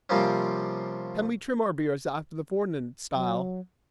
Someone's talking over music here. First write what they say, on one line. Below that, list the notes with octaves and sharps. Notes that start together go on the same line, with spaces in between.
Can we trim our beards after the foreign style?
C3 F3 G3 A#3 C4 C#4
F#3